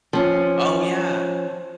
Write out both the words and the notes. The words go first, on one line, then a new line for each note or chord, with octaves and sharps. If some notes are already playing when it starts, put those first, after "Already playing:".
Oh, yeah.
F3 C#4